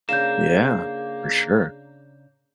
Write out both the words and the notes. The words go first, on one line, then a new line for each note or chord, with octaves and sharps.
Yeah. For sure.
C#3 A#3 D4 G#4 F5 G6 E7